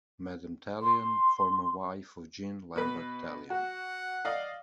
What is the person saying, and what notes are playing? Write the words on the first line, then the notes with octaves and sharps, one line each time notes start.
Madame Tallien, former wife of Jean Lambert Tallien.
C6
B2 B4
F#4 F#5
D5 D#5 F5